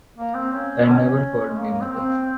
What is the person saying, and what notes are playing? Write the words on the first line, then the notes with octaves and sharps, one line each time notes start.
And never called me mother!
A#3
C4
C#4
C#4
G#3
A#3
A#3
C4
C4